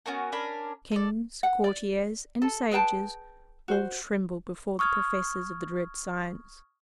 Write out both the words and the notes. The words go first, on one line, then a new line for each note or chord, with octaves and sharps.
Kings, courtiers, and sages, all trembled before the professors of the dread science.
B3 C#4 F#4 A#4
C#4 D4 A#4 B5
A4 D5
F#5
D5
A4
G#4 B4 G5 A5
F#4 C5
C#6 D#6 F6 G#6